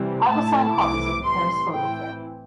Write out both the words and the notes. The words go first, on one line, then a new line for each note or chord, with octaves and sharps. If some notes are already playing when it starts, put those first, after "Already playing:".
I will sign copies at the Paris Photo fair.
Already playing: C2 C3 E3 G3 C4
A2 A3 E4 A5
C2 C3 E3 A3 E4 D6
A2 E3 G3 C4 C6
A2 E3 C4 E4 G5